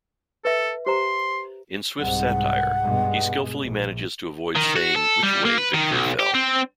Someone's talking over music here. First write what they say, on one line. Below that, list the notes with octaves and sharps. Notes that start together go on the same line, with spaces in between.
In Swift's satire, he skilfully manages to avoid saying which way victory fell.
A4 B4 E5
G4 C5 A#5 C6
C2 G#2 F#5
G2 B2 G#3
A#1
D#3
F#4
A4
G3
A#3
B4
D#3
B1
G4
C4